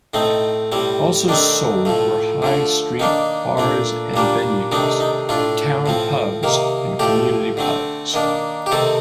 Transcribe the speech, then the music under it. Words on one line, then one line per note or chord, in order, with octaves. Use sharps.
Also sold were High Street Bars and Venues, Town Pubs and Community Pubs.
A2 A3 C4 D#4
A2 G3 C4
D#3 A3 C4 D4
A2 F3 A3
D3 F3 A3
D#3 A#3 D4 D#4
A#2 A3 D4
A#2 G3 A#3 D4
C3 D#3 A3 D4 D#4
D#4
A2 A3 D4 F4
A2 F3 C4
C3 D#3 A#3
A2 F3 A3 G4
D3 A3 C4
D#3 A#3 D4
G4
C3 D#3 A3 C4 A4